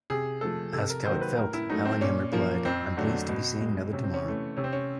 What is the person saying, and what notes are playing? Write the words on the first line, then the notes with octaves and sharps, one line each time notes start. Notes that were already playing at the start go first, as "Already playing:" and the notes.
Asked how it felt, Allingham replied, I'm pleased to be seeing another tomorrow.
C3 G#4
F3 A3 A4
C3 A4
A#4
D#3 F#3 A#3 C5
B4
A2 A#4
E4
F#3 A3 D#4
C4
A#2 C#4
F3 A#3
F2 C4
D3 F#3 A3
B2
G#3
C3 C#4
C4
C#4
E3 A3
C3 C#4
C4
C#4